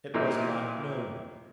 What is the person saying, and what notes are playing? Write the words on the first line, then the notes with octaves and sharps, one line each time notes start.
It was not known.
C2 A#2 E3 D#4